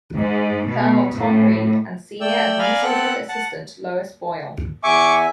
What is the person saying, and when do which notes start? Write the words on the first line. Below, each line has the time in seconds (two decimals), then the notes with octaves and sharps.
Colonel Tom Reid and Senior Administrative Assistant Lois Boyle.
0.17 G#2
0.67 B2
1.15 A2
2.21 A3 D5 G5 E6
2.59 D5 F5 G#5 A#5 B5
2.83 B3 C4 A4 F#5 A5 F#6
3.29 F#5 A5
4.84 E2 E5 G#5 C#6 D6